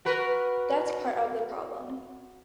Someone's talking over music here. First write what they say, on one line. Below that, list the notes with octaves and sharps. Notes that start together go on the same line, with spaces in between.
That's part of the problem...
F#4 A#4 B4